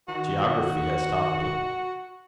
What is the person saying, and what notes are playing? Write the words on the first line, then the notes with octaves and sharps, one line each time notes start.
"Geography has taught me."
D#3 F#4